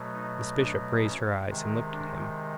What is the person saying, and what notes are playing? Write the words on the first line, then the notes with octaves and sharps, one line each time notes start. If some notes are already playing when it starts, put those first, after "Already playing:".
Miss Bishop raised her eyes, and looked at him.
Already playing: B2 F#3 A3
D#4
D4
C#4
C3 D#3 G#3
D4